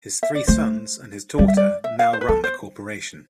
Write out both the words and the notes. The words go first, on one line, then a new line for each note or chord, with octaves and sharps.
His three sons and his daughter now run the corporation.
E5
D5
A3 C5
G3 D5
E5
D5
E5
F5
C5
B4
B3 A4
C5